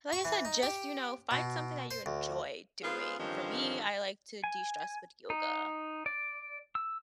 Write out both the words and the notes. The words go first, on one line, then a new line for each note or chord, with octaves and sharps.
like I said, just, you know, find something that you enjoy doing. For me, I like to destress with yoga,
C#6
E3
D#4
G4
B2
C5
D2
G#3 B3 F4 G#4 C5 F5
G2 D3 D#3 F3 C4 C#4
G#5
D#4
D5
E6